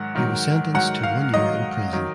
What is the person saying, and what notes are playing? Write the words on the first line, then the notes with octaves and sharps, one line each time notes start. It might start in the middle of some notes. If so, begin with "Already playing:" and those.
He was sentenced to one year in prison.
Already playing: G#2 D#3 F#3 F#5
G#2 D#3 F#3
G#2 D#3 F#3 F#5
F5
G#2 D#3 F#3 D#5
D#3 F#3